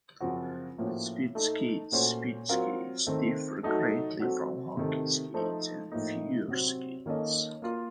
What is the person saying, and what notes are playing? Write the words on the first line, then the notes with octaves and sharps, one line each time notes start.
Speed skates Speed skates differ greatly from hockey skates and figure skates.
F#2 C#3 F3 C4 F#4
A2 F3 A#3 C#4 F#4
A3 D#4 A4
A#2 A3 C#4 F#4 C5
F#3 C4 F4 A#4 F5
D#3 A3 C4
F#3 A3 D#4 A4
F#3 C4 F#4 A4
C3 D#3 A3
F3 A3 D#4 A4 C5
A2 F3 A#3 D#4
C3 F#3 C4
D#3 A#3 C#4 A4 D#5
A#3 F4 A#4